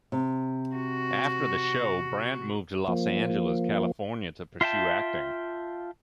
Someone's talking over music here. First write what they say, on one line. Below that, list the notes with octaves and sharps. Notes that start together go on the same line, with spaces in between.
After the show, Brandt moved to Los Angeles, California to pursue acting.
C3
F#4
F3 A#3
F4 E5 G5 A5